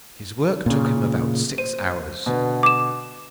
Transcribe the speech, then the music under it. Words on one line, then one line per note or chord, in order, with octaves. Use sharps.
His work took him about six hours.
A#2 C#3
C5 D#7
B2 D3 B3
D6 E7